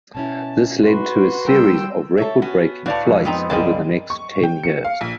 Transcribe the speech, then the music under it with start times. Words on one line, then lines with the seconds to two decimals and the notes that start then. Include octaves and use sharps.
This led to a series of record-breaking flights over the next ten years.
0.15 B2 C#4 E4 A5
0.83 F#4 B4 C6
1.45 G3 A#4 G5 E6
2.17 A4 C#5 E5
2.42 B3 C#4 F#4
2.86 A2 F#4 B4 C#5 D5 F5 A5
3.05 F2 G#3
3.25 B3 C4 D#4
3.50 C2 F#2 G3 G#3 A#3 G#4 A5
4.10 C#6
4.43 G5
4.63 C#7
4.84 F5
5.01 A#1